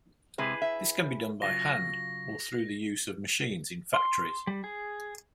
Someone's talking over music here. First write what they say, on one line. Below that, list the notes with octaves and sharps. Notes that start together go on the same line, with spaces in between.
This can be done by hand or through the use of machines in factories.
C3 G#3 E4 G#4 B4
E5
C#3 F#3 F4 A#6
C6
G3
G#4